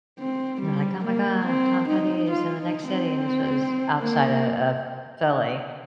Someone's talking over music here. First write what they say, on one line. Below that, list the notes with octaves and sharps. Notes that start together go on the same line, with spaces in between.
we were like, "Oh my god, Tom Petty is in the next city." And this was outside o of Philly,
C4
G3
A#3
C4
D#4
F4
D#4
C4
A#3